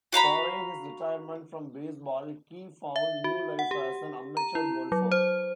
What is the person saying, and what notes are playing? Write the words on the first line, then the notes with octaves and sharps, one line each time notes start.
Following his retirement from baseball, Key found new life as an amateur golfer.
F#4 F5 A#5 B5
E5
F#4
F#5
G4
A#5
E4
F#3
C5